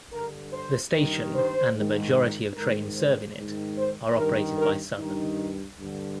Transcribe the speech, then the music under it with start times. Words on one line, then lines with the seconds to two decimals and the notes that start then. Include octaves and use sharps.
The station and the majority of trains serving it are operated by Southern.
0.13 G2 D3 A#4
0.53 C5
0.94 G2 D#3
1.34 C5
1.74 G#2 D#3
2.55 G#2 D#3 A#4
2.95 C5
3.36 G#2 D#3
3.77 C5
4.17 G2 D#3 A#4
4.58 A#4
4.98 G2 D#3 D#4
5.78 G2 D3